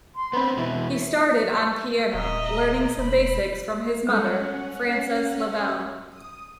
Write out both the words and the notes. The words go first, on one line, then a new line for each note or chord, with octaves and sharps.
He started on piano, learning some basics from his mother, Frances Leavell.
C6
B3 C4 B5
B2 E3 E5
D#1 D#5 E5 A#5
E1 B5
G3 G#3 C#4 A4 F#5
D#6